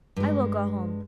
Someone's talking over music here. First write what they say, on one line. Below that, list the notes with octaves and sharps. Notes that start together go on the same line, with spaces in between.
"I will go home."
G2 G#3